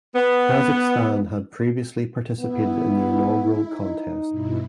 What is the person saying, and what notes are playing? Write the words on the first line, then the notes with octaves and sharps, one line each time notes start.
Kazakhstan had previously participated in the inaugural contest.
B3
B3 E4
D#4
G2 B2 E4